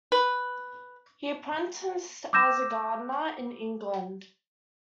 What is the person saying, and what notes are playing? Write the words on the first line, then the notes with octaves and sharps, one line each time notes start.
He apprenticed as a gardener in England.
B4
D6 E6 G6 A#6 E7